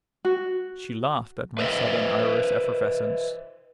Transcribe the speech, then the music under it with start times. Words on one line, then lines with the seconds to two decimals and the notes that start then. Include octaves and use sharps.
She laughed at my sudden Irish effervescence.
0.25 F#4
1.59 B4 C5 D#5 E5